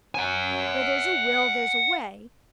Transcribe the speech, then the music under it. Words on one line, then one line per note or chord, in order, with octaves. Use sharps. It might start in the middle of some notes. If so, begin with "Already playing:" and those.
Where there's a will, there's a way.
F#5 G#5